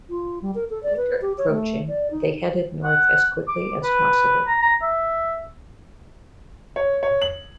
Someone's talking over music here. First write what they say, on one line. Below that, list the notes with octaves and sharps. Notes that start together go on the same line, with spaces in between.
With winter approaching, they headed north as quickly as possible.
F4
G3
A#4
A4
D5
B4
G4
C#5
A3
D5
D#4
F#5
D6
B4
A#5
A#5
E5
C#5
C#5
F#7